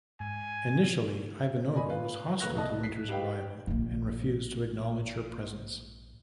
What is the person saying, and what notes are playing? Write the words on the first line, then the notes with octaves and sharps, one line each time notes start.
Initially, Ivanova was hostile to Winters' arrival and refused to acknowledge her presence.
G#2 G#5
D5 D#5 G#5 B5
F4 B4
E1 A#3 B4 C#6 F#6 A#6
C2 E4 D#5 A5
B6 C7
D#4 G4 B4 F5 G5
A#1 A#2